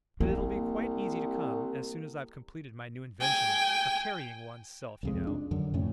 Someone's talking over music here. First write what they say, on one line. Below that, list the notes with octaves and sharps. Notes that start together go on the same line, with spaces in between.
But it'll be quite easy to come, as soon as I've completed my new invention--for carrying one's-self, you know.
C2 A#3
G5 G#5
C2 F2 G#3
D4
F#2 D3
F2 A2 C#3